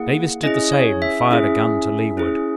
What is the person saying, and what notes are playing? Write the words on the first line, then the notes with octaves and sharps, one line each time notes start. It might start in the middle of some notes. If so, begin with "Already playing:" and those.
Davis did the same, and fired a gun to leeward.
Already playing: A#3 E4 G#4 F#5
C#4 E4 G#4 D#5
C#5
E5
C#4 E4 G#4
C#4 E4 G#4